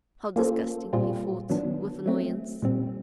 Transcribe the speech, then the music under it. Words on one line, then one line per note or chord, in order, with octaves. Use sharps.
"How disgusting," he thought with annoyance.
A#3 C#4 F4 A4 C5
A#2 G3 C4 F4 G#4
D#3 F#3 B3 D4
F#3 A3 C4
A#2 G3 C4